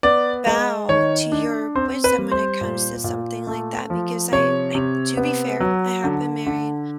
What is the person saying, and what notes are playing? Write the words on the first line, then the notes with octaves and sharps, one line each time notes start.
bow to your wisdom when it comes to something like that because I I to be fair, I have been married
B3 D5
G#3
D#3 C#5
D4
C4 C5
B4
G3
C5
A#2
A#2
A3
F3
C3 C#5
C3
B3
F#3
D3
D3